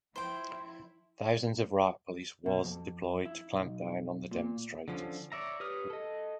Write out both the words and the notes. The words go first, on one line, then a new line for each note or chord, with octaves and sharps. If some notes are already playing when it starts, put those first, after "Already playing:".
Thousands of riot police was deployed to clamp down on the demonstrators.
F3 E4 C5 G5 C6
B2
F2
E4
B1
A#2
D3 F3 C#4
C#5 D5 E5 A#5
G4 B4 C#5 D#6 F6
A4 D#5